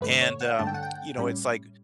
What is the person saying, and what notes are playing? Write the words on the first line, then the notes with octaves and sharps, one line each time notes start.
And, um, you know, it's, like,
G2 D3 A3 B4
C#5
F#5
G2 D3 A3 A5
G5
F#5
G5
A2 G3 C#4